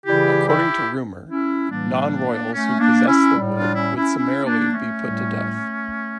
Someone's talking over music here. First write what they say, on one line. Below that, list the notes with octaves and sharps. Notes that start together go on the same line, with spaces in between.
According to rumor, non-royals who possessed the wood would summarily be put to death.
C#3 E3 G3 E4 G4
E4 G4
C#4 E4
A2 E3 G3 A#3 D4
A3 C#4
A#3 D4
C#4 E4
G3
A2
D4 F4
C#4 E4
C#4 E4
C#4 E4
A#3 D4
A3 C#4
A2 G3